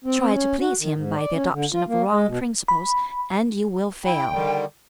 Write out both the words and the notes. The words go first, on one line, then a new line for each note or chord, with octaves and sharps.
Try to please him by the adoption of wrong principles, and you will fail.
C4
C#4
F#4
D#3
G#2
D5
C#4
D3
F4
A#3
G#3
B2
B5
E4 G5
D3 D#3 G3